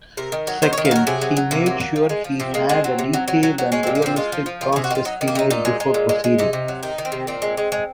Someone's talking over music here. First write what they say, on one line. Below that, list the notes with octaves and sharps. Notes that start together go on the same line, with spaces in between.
Second, he made sure he had a detailed and realistic cost estimate before proceeding.
C3 A#4
D#3
F#3
D#3 C5
C#5
D#3
F5
F#3 A#4
C3 G#4
F#3
F#3
C3 A#3
F#3
F#3
F3
G#3
F3
C3 C4
G#3 A#3
G#3 C4
F#3
C3
F#3
F#3
F#3
F#3
G#3 C#4
C4
A#2
A#3
F3 C4
G#3 F4
F3
F3
D#3 F4
G#4
C3
F#4
D#3 F4
F#3 D#4
D#3
A#3
C3 D#4
A#2 D#4
G#3
G#3
A#2
G#3
G#3
C3 D#4
C3
F#3
D#3 D#4
D#3
C4
C3
A#2 C4
G#3
G#3
G#3